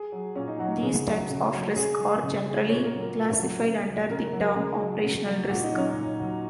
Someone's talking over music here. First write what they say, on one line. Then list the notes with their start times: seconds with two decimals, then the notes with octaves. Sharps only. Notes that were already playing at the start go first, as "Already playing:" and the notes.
These types of risk are generally classified under the term 'operational risk'.
Already playing: G#4
0.12 F#3
0.36 A#2 C#4
0.48 D#4
0.59 F#3 F#4
0.72 F#4
0.82 C#3 G#4
1.06 F#3
1.30 C#3
1.52 F#3
1.76 C#3 G#4
1.99 G#3
2.23 C#3
2.46 G#3
2.69 A#2 C#5
2.85 A#4
2.92 F#3
3.01 A#4
3.16 A#2
3.39 F#3
3.63 C#3
3.86 F#3
4.10 C#3 A#4
4.33 F#3
4.47 A#4
4.55 C#3 G#4
4.79 F#3
5.03 C#3
5.25 F#3
5.49 A#2 F#4
5.63 D#4
5.72 F#3
5.77 C#4
5.91 D#4
5.96 A#2
6.20 F#3